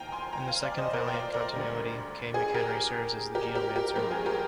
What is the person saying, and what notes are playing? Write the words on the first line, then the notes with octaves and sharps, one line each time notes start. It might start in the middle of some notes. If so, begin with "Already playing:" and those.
In the second Valiant continuity, Kay McHenry serves as the Geomancer.
Already playing: D#2 D#3 F5 G5 G#5 A#5
G#5 C6
G5 A#5
F5 G#5
D5 F5
C5 D#5
A#4 D5
G5
D5 F5
A#4 D5
D2 D3 G3
G#4
G4 A#4
G4 A#4
G4 A#4
G4 A#4
G2 F3 G#3 G4 A#4
G#4
G4 A#4